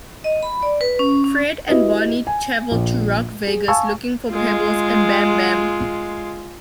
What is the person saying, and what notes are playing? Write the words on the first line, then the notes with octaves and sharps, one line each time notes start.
Fred and Barney travel to Rock Vegas looking for Pebbles and Bamm Bamm.
D#5
B5
D5
B4
C#4
C#4
E4 F#4 G4 B4 D#5
G#5
A#1
G#4
F5 G#5 A5 C#6 E6
G#3 F4